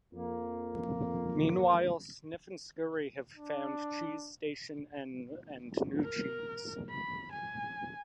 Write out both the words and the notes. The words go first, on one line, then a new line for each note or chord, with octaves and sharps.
Meanwhile, Sniff and Scurry have found "Cheese Station N," and new cheese.
F2 A#3
D4
A#4
B5
G#5